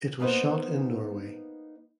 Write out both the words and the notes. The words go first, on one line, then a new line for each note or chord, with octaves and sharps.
It was shot in Norway.
A#3 B3 D#4 B4 C5 F#5